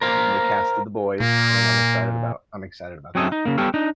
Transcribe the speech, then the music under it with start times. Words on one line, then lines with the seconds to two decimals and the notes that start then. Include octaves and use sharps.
and they casted the boys, and, I'm excited about I'm excited about that.
0.01 A#4 C5 F5
1.20 A#2 A#3
3.15 F#3 C4 C#4 D#4 G#4 A4
3.32 D#4
3.45 C#3 A#3
3.58 G3 B3 G4 A4 C#5 F5
3.74 D4 D#4